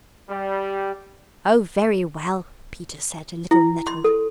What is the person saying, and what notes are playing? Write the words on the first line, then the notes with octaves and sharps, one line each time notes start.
'Oh, very well,' Peter said, a little nettled.
G3
E4
C6
A4